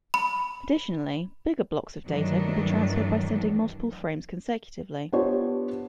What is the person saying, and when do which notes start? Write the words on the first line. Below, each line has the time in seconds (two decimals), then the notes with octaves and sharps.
Additionally, bigger blocks of data can be transferred by sending multiple frames consecutively.
0.14 B5
2.06 G2 D#3 E3 F#3 A3 D4
5.12 B3 D4 F4 G4 C5 C#5